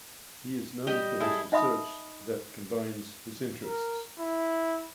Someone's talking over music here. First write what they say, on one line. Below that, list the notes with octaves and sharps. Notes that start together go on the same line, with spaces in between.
He is known for his research that combines his interests.
G3 D#5 G5
E4 G#4 A4
D#4 D#5 E5 B5 D#6
A#4
E4